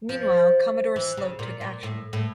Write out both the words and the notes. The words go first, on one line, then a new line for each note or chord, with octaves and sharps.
Meanwhile, Commodore Sloat took action.
F3
E3
C#3
A#2
A#2
A2
A2